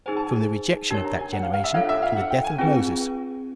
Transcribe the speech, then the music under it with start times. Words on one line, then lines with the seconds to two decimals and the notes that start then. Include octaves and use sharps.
From The Rejection Of That Generation To The Death Of Moses.
0.06 D#4 G#4 C5 G#5
0.17 A5
0.27 G#5
0.90 D4 G4 A#4 C#5 A5
1.05 A#5
1.18 G#5
1.33 F#5
1.43 F5
1.53 F5
1.64 E5
1.74 D4 F4 A4 C#5 F5
1.89 E5
2.02 F5
2.17 F#5
2.30 G5
2.44 G#5
2.58 C4 F4 G#4 B4 G5